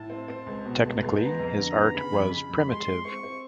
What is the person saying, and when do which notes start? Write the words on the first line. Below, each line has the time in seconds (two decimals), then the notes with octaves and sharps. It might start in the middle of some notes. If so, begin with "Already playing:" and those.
Technically his art was primitive.
Already playing: A2 A5
0.10 C4
0.28 C4
0.46 C#2
0.65 B2
0.84 C#2
1.02 C#2
1.21 B3 A#5
1.39 F2
1.57 D3 A#5
1.76 B3
1.94 C#3 B5
2.13 F2
2.31 C#3 B5
2.50 F2
2.68 G#3 C6
2.87 G#3
3.05 C4 C#6
3.23 C4